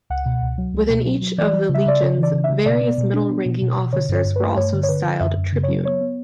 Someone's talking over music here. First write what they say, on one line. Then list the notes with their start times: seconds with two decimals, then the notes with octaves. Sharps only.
Within each of the legions, various middle-ranking officers were also styled "tribune".
0.10 C#2 F#5
0.26 B2
0.42 C#2
0.58 F#3
0.73 C#2
0.90 B2
1.05 F#3
1.22 F#3
1.38 E3 D5
1.53 G3
1.69 C#3
1.74 E5
1.86 C#3 D5
2.02 C#3 C#5
2.18 E3 D5
2.33 C#3
2.44 E5
2.49 C#3
2.66 B2 D5
2.81 B3
2.98 B2
3.14 D4
3.30 B3
3.46 B2
3.62 B2
3.78 B2
3.93 D3 C#5
4.09 G2
4.15 C#5
4.25 G2
4.36 B4
4.41 A3
4.57 G2 C#5
4.73 D3
4.83 C#5
4.89 D3 B4
5.04 D3
5.20 F#2 E5
5.37 F#2
5.53 C#3
5.63 C#5
5.69 F#3
5.85 B3 C#5
6.01 B3